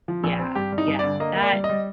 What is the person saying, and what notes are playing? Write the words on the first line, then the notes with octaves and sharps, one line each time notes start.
Yeah, yeah, that
F3
A#1
C4
G2 G4
G3
D#4
G2
D3 D5
A#3 D#5
A#3
D5
G3
D#5
G3